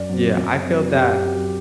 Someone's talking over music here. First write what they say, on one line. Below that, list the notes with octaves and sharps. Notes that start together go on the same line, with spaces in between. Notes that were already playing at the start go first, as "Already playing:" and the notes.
Yeah, I feel that
Already playing: F#2 D5
F#3 C4
F#2
F#3 C4
F#2 G4
F#3 C4